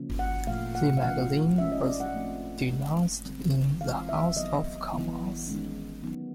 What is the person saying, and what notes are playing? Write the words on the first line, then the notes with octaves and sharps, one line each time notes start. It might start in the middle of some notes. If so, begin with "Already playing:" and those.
The magazine was denounced in the House of Commons.
Already playing: C#3 F3 A#3 C#4
F#5
A#2 F3 A3 F5
F#5
F5
C#3 F3 A3 C#4 F#5
F3 G#3 C#4 E5
D#5
D5
F#5
F3 A3 C4
D#3 G#3 C#4
D3 G3 C4
E3 G#3 C4 F5
E5
D#3 F#3 B3 D#5
E3 G3 B3
D#3 G#3 C#4
D#3 F#3 B3